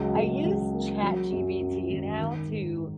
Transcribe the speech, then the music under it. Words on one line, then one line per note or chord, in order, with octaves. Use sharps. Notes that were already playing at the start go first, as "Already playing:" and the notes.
I use ChatGPT now to
Already playing: C#2 C#3 F#3
C#2
C#2
A#3
F#3
F#2
F#2
G#1
D#3
G#2